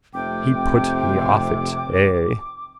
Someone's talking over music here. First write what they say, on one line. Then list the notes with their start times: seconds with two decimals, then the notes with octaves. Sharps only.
He put me off it. Ay.
0.14 F1 C3 G5 D6